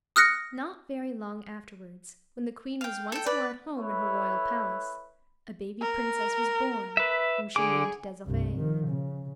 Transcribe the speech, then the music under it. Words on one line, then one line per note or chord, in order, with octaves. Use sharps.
Not very long afterwards, when the Queen was once more at home in her Royal Palace, a baby Princess was born, whom she named Desiree.
D#6 F6 F#6 A#6 C#7
F5 G5
A4 G5
B4 D5
E4 A4 B4 C#5
A#4
B4 E5
D3 G#4 D6
C2 G2
D#3 F3
C#3